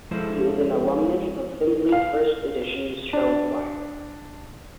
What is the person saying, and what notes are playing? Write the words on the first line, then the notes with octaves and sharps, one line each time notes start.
He is an alumnus of Findlay First Edition Show Choir.
F3 G#3 E4 A4 C5
F5
D4